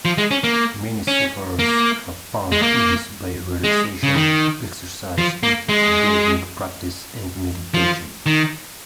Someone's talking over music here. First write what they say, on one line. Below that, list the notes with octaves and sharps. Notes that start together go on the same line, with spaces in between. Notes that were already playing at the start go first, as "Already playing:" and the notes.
Many sufferers have found ease by relaxation exercises, deep breathing practice and meditation.
F3
G#3
C#4
A#3
C#4
A#3
G#3
A#3
G#3
C#3
D#3
F3
A#3
G#3
F3
D#3